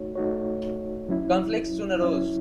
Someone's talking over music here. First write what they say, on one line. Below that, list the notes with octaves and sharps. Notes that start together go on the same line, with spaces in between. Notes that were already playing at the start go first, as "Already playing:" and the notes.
Conflicts soon arose.
Already playing: A3 D#4 F#4 C#5
A3 D#4 F#4 C#5
F#3 C#4 E4
F#3 C#4 E4